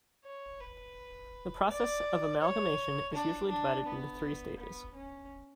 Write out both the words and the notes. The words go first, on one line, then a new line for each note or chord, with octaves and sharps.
The process of amalgamation is usually divided into three stages.
C#5
B4
D5
C#5
D4
D4
B3
B3
C#4